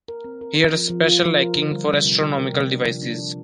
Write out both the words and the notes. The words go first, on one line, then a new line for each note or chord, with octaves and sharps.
He had a special liking for astronomical devices.
A#4
C4
A#4
A#4
F3
F3
F4
F3
A#4
D3
G3
G3
C3
G4
A#4
C3
D4
F3
D4
F3